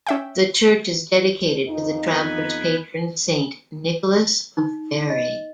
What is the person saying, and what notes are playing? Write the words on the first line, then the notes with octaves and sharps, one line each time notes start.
The church is dedicated to the traveller's patron, Saint Nicholas of Bari.
C#4 E5 G5
F2 D#4
B3 B4 G#5
D#4
D#5